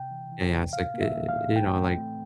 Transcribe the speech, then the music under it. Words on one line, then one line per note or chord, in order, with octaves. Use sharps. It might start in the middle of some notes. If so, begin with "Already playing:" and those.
yeah, yeah, it's like, e e eh, you know, like
Already playing: C3 G5
E3
E3
C3
A2 F5
A#3
E5
E3
F5
A2
A3 G5
C4
A3